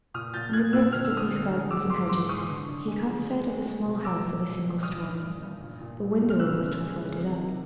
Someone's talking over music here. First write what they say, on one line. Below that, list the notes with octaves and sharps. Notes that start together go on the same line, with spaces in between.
In the midst of these gardens and hedges he caught sight of a small house of a single story, the window of which was lighted up.
A#2 D#6 F6
A#2 G6 A6
A#2 F#6 G#6
A#2 E6 F#6
D3 F6
E6
D3
D#6 F6
D3
G#3
G#2 D6 E6
G#2 C6 D6
G#2 C6 D6
E3 C#6 D#6
D3
D3
G#3
F3
G#3
G#3
G#3
B2
F#3 D6 E6
A#2
F#3
A#2
G2 D#6 F6
D#3
G2
G2
A#2
A#2
A#2
A#2
F6
C#3 E6 F#6
F#2
G#3
C#3
C3
D#3